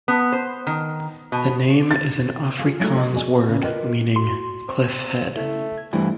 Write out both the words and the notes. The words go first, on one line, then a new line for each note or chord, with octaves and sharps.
The name is an Afrikaans word meaning cliff head.
B3
C5
D#3
B2
A6
F4 G#4 F5
F#3 G#3 A3 D#4 E4 F#4
D#5
F#4 G#4 C5 D5 G#5
C#3
F4 A#4 B4 D5 D#5 G5
F#4 C6
C4
C#3 A3 E4
G#6
G2 C3 E3 A3 D4